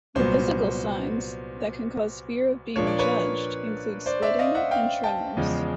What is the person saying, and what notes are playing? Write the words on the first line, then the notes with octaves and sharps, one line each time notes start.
The physical signs that can cause fear of being judged include sweating and tremors.
C2 A#2 F#3 B3 C5
A#2 F3 A#3 D4 C#5
D5
B4 C#5
C5 D5
D5 E5
D#5 F5
E5 F#5
F5 G5
G5 A5
E2 C#3 F3 G#3